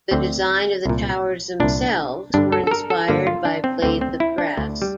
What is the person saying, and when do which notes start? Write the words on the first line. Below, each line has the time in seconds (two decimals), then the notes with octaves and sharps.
The design of the towers themselves were inspired by blades of grass.
0.11 D2 D3 C4
0.86 C2 A#2
1.60 C2 A#2 D4
2.34 G2 D3 D4
2.52 A4
2.67 A4
2.71 A#4
2.90 A4
3.08 G2 D3 A#3
3.27 F4
3.45 D4
3.64 C4
3.82 D2 D3 C4
4.01 C4
4.20 E4
4.38 D4
4.57 D2 D3
4.82 G3